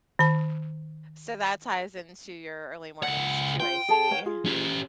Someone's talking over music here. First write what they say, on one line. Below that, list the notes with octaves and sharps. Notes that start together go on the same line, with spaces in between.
So that ties into your early mornings too, I see.
D#3 A5
C#2 F#5
F4 C5 G5
G#4 A4 A5
A#4 C#5 F#5
F4 G#4
C#4 G4